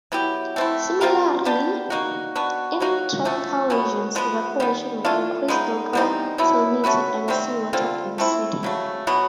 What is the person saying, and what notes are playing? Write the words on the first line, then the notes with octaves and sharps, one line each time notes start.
Similarly, in tropical regions, evaporation may increase local salinity and seawater density.
F#3 B3 E4 G4
A3 C4 E4
G3 C4 F4 A#4
B3 D4 G4
A#3 D#4 F#4
B3 D4 F#4
F#3 A#3 D#4 F#4
D3 F3 A3
B2 F#3 B3
F3 G#3 B3
D#3 G3 B3
E3 A3 D4 F4
G#3 B3 D#4
E3 G3 C4 D#4
D3 F#3 B3 E4
A3 C#4 F#4 B4
C3 D#3 G3 C4
D3 G3 C4 F4
A3 C4 E4
C#3 F#3 A3
B2 F#3 B3